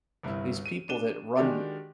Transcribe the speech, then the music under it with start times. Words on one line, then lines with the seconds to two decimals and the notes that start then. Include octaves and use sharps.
these people that run
0.23 G1 C2 E4
0.66 D#7
0.89 D4 D#7 E7 G7
1.37 D#3 G#3 D4 F#4 G4 D5